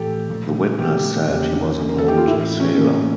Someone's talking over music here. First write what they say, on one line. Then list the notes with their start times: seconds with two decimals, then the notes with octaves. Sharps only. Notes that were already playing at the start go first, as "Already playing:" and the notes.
The witness said he was an old sailor.
Already playing: A2 E3 A3 G4 A4
0.30 A#2 F3 A3
0.79 A#2 F3 A3 G4
1.28 E2 E3 A#3 C#4 G4
1.78 E2 E3 A#3 C#4
1.89 A#4
1.98 A4
2.08 G4
2.17 F4
2.27 A2 E3 A3 E4
2.60 C#4
2.76 A2 E3 A3 A#3
2.93 A#3